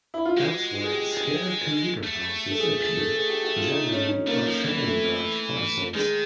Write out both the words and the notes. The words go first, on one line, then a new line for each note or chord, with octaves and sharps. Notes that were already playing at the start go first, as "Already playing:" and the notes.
Elsewhere, scattered commuter houses appeared, generally on fairly large parcels.
E4
F4
G#3 F#4
G#4
G4
A3
A4
G#4
G#4
A4
G#4
G4
F#4
F4
D#4
C#4
C#4
A3 A#3
F3
E3
A3
D#3 G#3